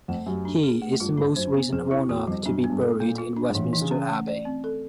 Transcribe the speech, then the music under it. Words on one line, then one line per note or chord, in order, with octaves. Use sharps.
He is the most recent monarch to be buried in Westminster Abbey.
F2 A3
F#2 G4
D4
G#4
A3
G2 F4
G#2 D4
F#2 C5
B3
F2 G#4
E4
E2 F#4
F2 G3
F#2 D4
F#2
B3
G2
A4
A#2 A#3
F4
D4
G#2
A2 E3
A#2
D#3 E3
C#3
C#4
A3
D5
C4
A4